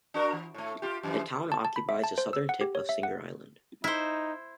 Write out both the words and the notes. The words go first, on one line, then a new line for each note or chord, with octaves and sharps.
The town occupies the southern tip of Singer Island.
D4 F#4 A#4
E3
A2 A3
F4 G4
F#2 E3 F3
A5
A5
B5
E5
A5
C5
E6
F#5
G4
C#5
E5
F#5
D#4 E4 C5